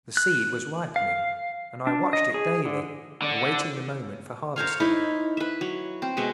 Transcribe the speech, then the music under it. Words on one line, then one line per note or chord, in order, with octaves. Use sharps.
The seed was ripening, and I watched it daily, awaiting the moment for harvesting.
F#6
F5
D4
D#5
G#4
D3
D3
A#4 C5 C#5 F5
D#4 E4
B4 E5
F#3
C4
B2 G#3 E5